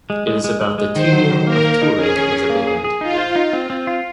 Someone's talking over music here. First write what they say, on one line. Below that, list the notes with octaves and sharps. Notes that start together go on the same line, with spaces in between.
It is about the tedium of touring as a band.
G#3
G#3
G#3
G#3
G#3
D#3 C5
F#3
D#3
A#3 A#4
A#3
D#4
C#4 G#4
C#4
C#4
A#3
G#4
G#4
D#4 F4
C5
D#4
C4
C4
F4